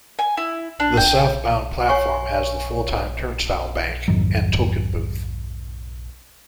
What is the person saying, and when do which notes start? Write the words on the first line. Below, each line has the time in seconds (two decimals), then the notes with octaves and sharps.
The southbound platform has the full-time turnstile bank and token booth.
0.19 G#5
0.37 E4
0.80 D4
0.97 G5
1.89 C#5 G#5 C#6
4.08 F2 G#2 D#3 F#3